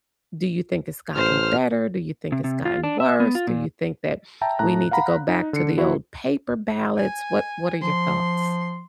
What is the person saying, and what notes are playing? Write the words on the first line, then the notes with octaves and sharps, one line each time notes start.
Do you think it's gotten better, do you think it's gotten worse, do you think that we need to go back to the old paper ballots? What what are your thoughts?
A1 C5 F6
C3
C3
F4
D4
E5
B3
F4
A#2
E5 G5 A5 A#5
A2 A5 A#5 F#6
F5 F#5 A#5 B5
D#4
D3 C7 C#7
F3 E4 F#4
G#5
F3 C6